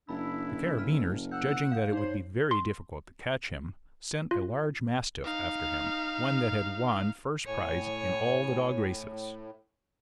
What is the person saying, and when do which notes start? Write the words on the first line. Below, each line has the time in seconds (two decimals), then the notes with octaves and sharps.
The Carabineers, judging that it would be very difficult to catch him, sent a large Mastiff after him, one that had won first prize in all the dog races.
0.09 F#1 D4 E4 B5
0.78 F6
1.31 F#5 E6 G6
1.72 F5 G6
1.93 D#4 C5 C#5
2.51 C6
4.31 F4
5.24 D#4 F5
7.46 A2 C#5 G#5